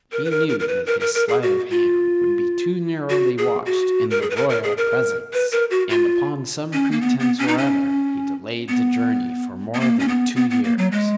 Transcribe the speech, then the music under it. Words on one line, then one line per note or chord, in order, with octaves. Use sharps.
He knew that his sleight of hand would be too narrowly watched in the royal presence; and upon some pretence or other he delayed the journey for more than two years.
A#4
B4
A#4
A#4
A#4
B4
A#4
A#4
A#4
G#4
F#4
F4
F#4
G#4
F#4
A#4
G#4
B4
A#4
A#4
G#4
A#4
B4
A#4
F#4
F4
C#4
A#3
B3
B3
C#4
D#4
C#4
B3
B3
A#3
C#4
B3
B3
B3
A#3
F#3
G#3